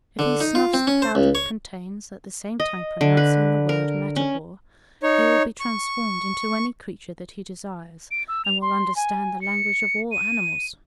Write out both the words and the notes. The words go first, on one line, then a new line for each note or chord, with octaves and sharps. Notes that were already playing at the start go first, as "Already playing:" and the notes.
If he snuffs the powder it contains, at the same time pronouncing the word 'Matabor,' he will be transformed into any creature that he desires, and will understand the language of all animals.
D3
D#4
F4
C4
C#4
C5
C#2
C#5
D#5
D3
B4
A#4
C#4
D#4 C#5
C#6
D7
E6
F7
C6
G#5
C#7
D#7